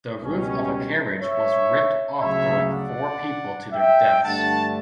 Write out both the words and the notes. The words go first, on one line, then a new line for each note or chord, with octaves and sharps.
The roof of a carriage was ripped off throwing four people to their deaths.
C#2 B2 G3 C#4
C#5 E5
D2 C#3 F#3 C#5 E5
D5 F#5
E5 G5
G2 D3 A3 D4 F#5 A5